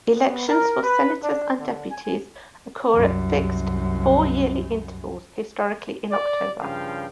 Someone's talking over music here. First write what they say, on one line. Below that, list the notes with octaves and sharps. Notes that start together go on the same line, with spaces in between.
Elections for Senators and Deputies occur at fixed four-yearly intervals, historically in October.
B3
A#4
B4
D4
D3
G#5
C2 F#2
D5
G2 C#3 F3 F5 G5